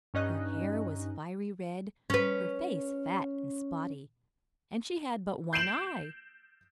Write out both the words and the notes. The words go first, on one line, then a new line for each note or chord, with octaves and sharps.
Her hair was fiery red, her face fat and spotty, and she had but one eye.
G2 C#4 D#4 D#5 F#6
C#4 B4
G6 C7 D7 E7 F#7